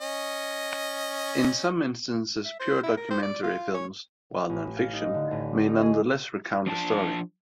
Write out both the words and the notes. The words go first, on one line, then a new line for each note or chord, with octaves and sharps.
In some instances pure documentary films, while nonfiction, may nonetheless recount a story.
C#4 D#5
E5
C5
E4
A#4
C5
D5
F4
C#5
A1
F5
D#4
D3
A1
D#4
G#4
F3 D4 F4 A5